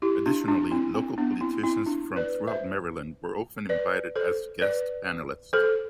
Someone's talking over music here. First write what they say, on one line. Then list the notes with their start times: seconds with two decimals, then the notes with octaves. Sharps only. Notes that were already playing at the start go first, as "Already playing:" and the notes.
Additionally, local politicians from throughout Maryland were often invited as guest panelists.
0.02 E4 G4
0.26 D4 F4
0.48 D4 F4
0.71 C4 E4
0.95 C4
1.18 B3 D4
1.41 C4 E4
1.63 C4 E4
1.86 D4 F4
2.16 B4 D5
2.47 C5 E5
3.69 B4 D5
4.16 A4 C5
4.61 B4 D5
5.53 A4 C5